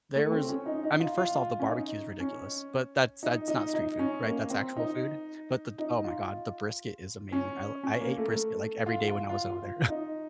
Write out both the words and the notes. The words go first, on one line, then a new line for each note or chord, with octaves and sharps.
there was I mean, first off, the barbecue is ridiculous, but that's that's not street food, right? That's actual food, but the Oh my god, the brisket is amazing. I l I ate brisket, like, every day when I was over there.
A3
C4
C#4
D#4
D#4
F4
F4
C#4
D#4
C#4
D#4
D#4
D#4
C#4
A#3
C4
D#4
D#4
F4
C#4
C#4
A#3
A3
F4
F4
F4
F4
D#4